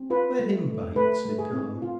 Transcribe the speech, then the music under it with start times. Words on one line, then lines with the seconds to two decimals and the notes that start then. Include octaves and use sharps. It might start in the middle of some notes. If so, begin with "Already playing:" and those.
"Let him bite," said Tom.
Already playing: C4
0.10 F4 B4
0.39 A3
0.68 A3
0.96 A3 B4
1.25 A3
1.38 G#4
1.53 C4
1.82 F4